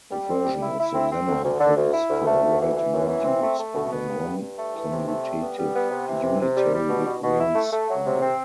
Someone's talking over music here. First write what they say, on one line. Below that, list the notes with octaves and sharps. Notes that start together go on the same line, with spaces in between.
A version of the lemma holds for right modules over non-commutative unitary rings "R".
G3
C4
G3
E4
E4
C4
C4
D2
D2
D3
D2
E4
D2
A3
D2
E3
E3
F#2
E3
C4
A3
A3
B2
B3
G2
G2
G2
A3
E3
C3
A3
G3
B3
G3
B3
C3
E3
C3
C3
G3
G3
B2
B2
B2
E4
A3
A3
F#3
C3
C4